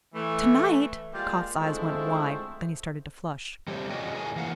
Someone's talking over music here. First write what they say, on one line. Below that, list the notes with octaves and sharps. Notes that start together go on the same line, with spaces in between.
"To-night!" Kauf's eyes went wide, then he started to flush.
E3 A3
G3 G#3 A#3 F4
D3 F3 G#3 A3 C4 E4
G3 A3 C4 G4 C#5
F4 F#4 G#4 D5 D#5
A2 G#4 A#4 C#5 G#5
E3 F3 A#3 F5 F#5